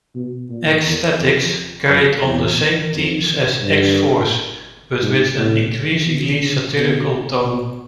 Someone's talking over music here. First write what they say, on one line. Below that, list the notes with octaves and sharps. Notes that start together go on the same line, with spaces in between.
"X-Statix" carried on the same themes as "X-Force", but with an increasingly satirical tone.
B2
A#2
E2
F2
F#2
E2
F2
G2
G#2
A2
B2
C#3
B2
B2